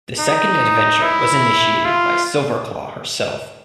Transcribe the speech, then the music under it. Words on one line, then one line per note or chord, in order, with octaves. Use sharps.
The second adventure was initiated by Silverclaw herself.
D#4
E4
F4